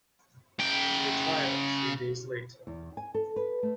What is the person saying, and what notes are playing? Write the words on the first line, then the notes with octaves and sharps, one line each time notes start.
He retired three days later.
C#3 G5
E2
G#5
A4
B4
A3